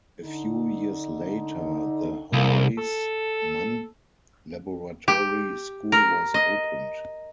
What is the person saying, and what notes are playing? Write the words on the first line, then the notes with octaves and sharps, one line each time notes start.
A few years later the Horace Mann Laboratory School was opened.
D3 D#4
C2 A#3
A4
G4
A#4
D#5